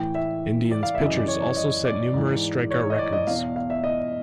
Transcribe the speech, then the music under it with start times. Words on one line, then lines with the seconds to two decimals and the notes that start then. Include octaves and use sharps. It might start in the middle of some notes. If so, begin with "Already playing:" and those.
Indians' pitchers also set numerous strikeout records.
Already playing: A2 E3 G5
0.15 E5
0.71 D5
0.83 F5
0.95 E5
1.00 F#2 C#3 E3
1.06 D#5
1.17 D5
1.28 C#5
1.42 C#5
1.57 D#5
1.85 D5
2.14 G#2 E3
2.71 C#5
2.90 D#5
2.99 D5
3.13 D#5
3.27 E2 B2 F5
3.56 F5
3.70 E5
3.84 D#5